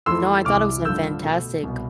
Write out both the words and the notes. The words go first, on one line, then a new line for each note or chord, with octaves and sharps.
No, I thought it was a fantastic,
F2 E3 A3 C6 E6
C2 C3 E3 D6 F6
G2 D3 F3 A3 E6 G6
B2 A3
C2 B2 B3